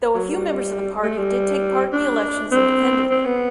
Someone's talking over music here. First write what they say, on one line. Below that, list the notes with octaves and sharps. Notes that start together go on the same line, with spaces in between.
Though a few members of the party did take part in the elections independently.
F#3
G3
A3
G3
D4
C4
C4
B3